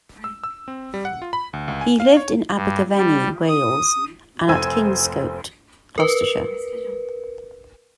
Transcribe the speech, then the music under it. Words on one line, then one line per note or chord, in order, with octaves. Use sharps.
He lived in Abergavenny, Wales, and at Kingscote, Gloucestershire.
E6
E6
C4
G3
F#5
F4
B5
D2
C#2
G#5
F5
C#5
G2
G3
D#6
F1 C5 G#5 E6 G#6
A#4 B4